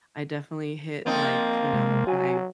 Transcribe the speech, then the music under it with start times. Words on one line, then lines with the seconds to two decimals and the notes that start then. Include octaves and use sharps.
I definitely hit, like, you know, my
1.06 F3 A#3 C4 D#4
1.73 C3 G#3
2.07 F#3 F#4 G#5